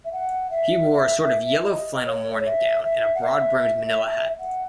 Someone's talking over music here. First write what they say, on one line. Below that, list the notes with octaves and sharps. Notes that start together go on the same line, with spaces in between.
He wore a sort of yellow flannel morning-gown, and a broad-brimmed Manilla hat.
E5
F#5
E5
D#5
C#5
E5
E5
F#5
E5
F#5